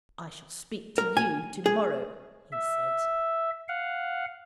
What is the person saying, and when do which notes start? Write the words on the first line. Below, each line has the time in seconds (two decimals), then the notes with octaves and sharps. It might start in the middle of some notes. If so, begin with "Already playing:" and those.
'I shall speak to you tomorrow,' he said.
0.98 A#4
1.17 G#5
1.66 G#4
2.52 E5
3.68 F5 F#5